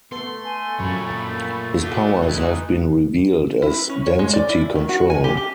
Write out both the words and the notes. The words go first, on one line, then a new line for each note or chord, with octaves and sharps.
His powers have been revealed as density control.
A3 B3 A4 C6
G#5
F#2 A#2 C#5 B5
D4 F#4 G4 B4
D#4 G#4
E4
B4
C#4
C#5
G#3
D5
E4
D#3
F#4
G#5
G4
G4